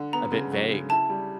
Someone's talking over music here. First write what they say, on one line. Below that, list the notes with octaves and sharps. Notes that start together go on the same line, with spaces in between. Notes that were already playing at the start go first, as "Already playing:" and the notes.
a bit vague,
Already playing: D3
B3 A#5
C#3
F#3
C#3
E4 A5
G3